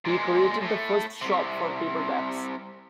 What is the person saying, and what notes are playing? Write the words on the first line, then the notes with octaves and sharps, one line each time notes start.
He created the first shop for paperbacks.
A#2 G#3
A2 A3
C2 C3